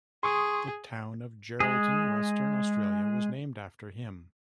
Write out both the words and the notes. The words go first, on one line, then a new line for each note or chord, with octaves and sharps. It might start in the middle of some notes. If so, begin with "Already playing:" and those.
The town of Geraldton, Western Australia was named after him.
G#4 C6 C#6 D#6
G#3 G#4